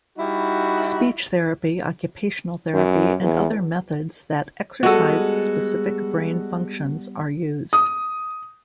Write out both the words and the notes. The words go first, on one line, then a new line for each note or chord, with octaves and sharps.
Speech therapy, occupational therapy, and other methods that "exercise" specific brain functions are used.
G3 D#4 E4 F#4
F#2
E2
G3 G#3 B3 F#4 A4
D#6